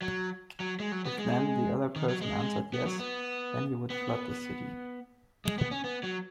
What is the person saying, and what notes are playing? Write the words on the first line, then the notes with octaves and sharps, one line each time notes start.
If then the other person answered "yes", then he would flood the city.
F#3
F#3
G#3
F#3
B3
G#3
D#3
F#3
G#3
B3
F#3
B3
B3
G#3
B3
C#4
B3
F#3